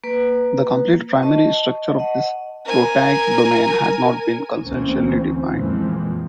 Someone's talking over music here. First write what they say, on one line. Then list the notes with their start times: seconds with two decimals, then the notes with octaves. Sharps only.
The complete primary structure of this proteic domain has not been consensually defined.
0.04 A#3 B4
1.23 D#5 A5 C#6
1.99 D#5 F#5
2.65 A#4 G#5
4.65 D2 E3 A#3 C4 C#4
5.50 F2 A#2 E3 F3 G#3 C4